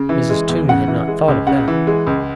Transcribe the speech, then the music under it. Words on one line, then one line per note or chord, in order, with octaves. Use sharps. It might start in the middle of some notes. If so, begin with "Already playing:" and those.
Mrs. Toomey had not thought of that.
Already playing: C#3
E3
G#3
E2
C#3 F#5
E3
G#3
C#2
C#3 F#5
E3
G#3
C#2